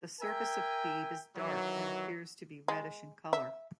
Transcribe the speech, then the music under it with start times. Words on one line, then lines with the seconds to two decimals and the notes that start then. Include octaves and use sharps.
The surface of Thebe is dark and appears to be reddish in color.
0.21 A#4 E5 G5 G#5
1.35 D#3 E3 F#3
2.68 G#3
3.33 E5